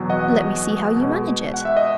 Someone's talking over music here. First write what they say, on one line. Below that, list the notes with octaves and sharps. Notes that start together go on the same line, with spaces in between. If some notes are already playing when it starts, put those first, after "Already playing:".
'Let me see how you manage it.'
Already playing: E2 B2 F#3
D#5 F#5
B2 G#3
F#5
E5
D#5